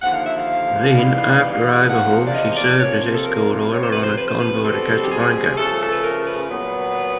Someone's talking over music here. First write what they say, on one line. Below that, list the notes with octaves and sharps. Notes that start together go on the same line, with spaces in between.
Then, after overhaul, she served as escort oiler on a convoy to Casablanca.
D#2 D3 F3 F#5
F5
E5
F5
G#2 E3 G3 B3
E2 C3 F3 A#3 F#5
F5
D5
D#5
D5
C3 F3 A#3 C#5
A4
A#4
F2 C3 F3 C#5
C5
B4
C5
B4
C5
B4
B2 G3 C4 A4
G4
G#4
C#3 F3 A3 A4
A4
B4
A#4
B4
A#2 F#3 B3